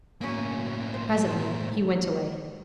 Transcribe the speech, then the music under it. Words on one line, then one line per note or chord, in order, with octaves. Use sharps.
Presently he went away.
F#2 A2 C#3 A#3 C#4
C5
G#2 D#3 C5